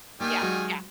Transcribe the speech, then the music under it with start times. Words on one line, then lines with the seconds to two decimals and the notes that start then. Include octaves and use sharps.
Yeah, yeah.
0.20 D#3 G3 A#3 G#5
0.42 F#3 G#3 F#4